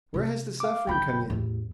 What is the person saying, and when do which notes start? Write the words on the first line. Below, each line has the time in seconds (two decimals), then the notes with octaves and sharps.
Where has the suffering come in?
0.14 C3 D#4
0.60 F5 D6
0.87 F#1 F#2 G5 B5 G6
1.30 A1 E2